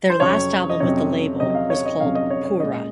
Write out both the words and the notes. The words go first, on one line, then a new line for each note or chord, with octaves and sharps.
Their last album with the label was called "Pura".
C5
F2 C3 F#3 C#4 C#5
D#5
F2 C3 F#3 C#4 C#5
F2 C3 F#3 C#4 D#5
D#5
F5
C#5
D#5
F2 C3 F#3 C#4 F5
D#5
C#5
C#5
A#2 G#3 C#4 D#5